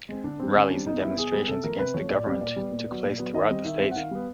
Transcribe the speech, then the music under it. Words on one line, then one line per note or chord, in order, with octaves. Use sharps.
Rallies and demonstrations against the government took place throughout the state.
G#3 C4
D3 D4
G3 C4
D3 C#4
G3 C4 D4
B2 D#4
G3 B3 E4
B2 G#4
G3 B3
C3 A4
F3 A3 A#4
C3 B4
F3 A3 C#5
A#2 D5
G3 B3
A#2 D5
G3 B3
A#2
F#3 B3
A#2
F#3 B3
D#3 D#5
G3 C4
D#3 E5
G3 C4
F#5
D#3 F5
G3 B3